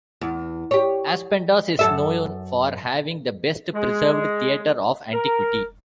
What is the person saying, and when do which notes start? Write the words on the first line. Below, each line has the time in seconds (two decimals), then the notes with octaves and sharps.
Aspendos is known for having the best-preserved theatre of antiquity.
0.21 E2
0.71 G4 C#5
1.79 F#2 A4 E5
3.73 G#3
5.13 A#4